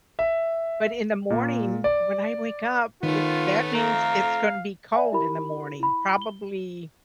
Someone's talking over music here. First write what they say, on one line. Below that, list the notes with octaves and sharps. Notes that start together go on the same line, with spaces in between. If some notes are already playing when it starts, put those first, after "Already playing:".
but in the morning, when I wake up, it that means it's gonna be cold in the morning, probably
E5
A#2
D5
D#3 A3 B3 C#4 F4
F2 A3 F5 A#5
D5 E5 G#5
E4 G4 A#4 B5
E4 B5
G7